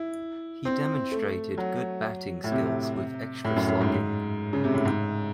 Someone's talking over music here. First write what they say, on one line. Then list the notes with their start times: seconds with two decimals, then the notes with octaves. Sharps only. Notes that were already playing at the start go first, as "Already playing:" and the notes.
He demonstrated good batting skills with extra slogging.
Already playing: E4
0.65 C4
1.12 A3
1.58 F#3
2.44 A2
2.52 C3
3.45 A2
3.56 F#2
3.68 F#2
3.81 G#2
4.53 C#3
4.64 C3
4.74 A2
4.85 G#2